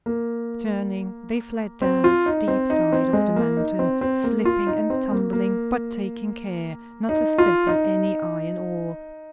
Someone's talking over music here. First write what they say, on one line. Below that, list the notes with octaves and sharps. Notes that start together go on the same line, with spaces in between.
Turning, they fled down the steep side of the mountain, slipping and stumbling, but taking care not to step on any iron ore.
A#3
C4
F4
D#4
C4
D#4
C4
G#3
A#3
D#4
C4
C4
A#3
F4
D#4
C4
A#3
A#3
D#4
F4
D#4